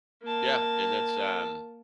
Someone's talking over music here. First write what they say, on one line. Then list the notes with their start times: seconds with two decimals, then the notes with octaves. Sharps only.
Yeah, and that's, um,
0.23 A#3 A5